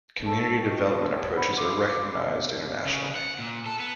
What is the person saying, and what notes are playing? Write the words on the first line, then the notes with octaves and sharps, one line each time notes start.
Community development approaches are recognised internationally.
A4 A5 C#6
G4 D#5 G5 C#6
D4 B4 D#5 C6
C#5 F#5 G5
B4 C5 F#5 B5
F5 C6 D6
C#3
F#5
A#2
A4
B3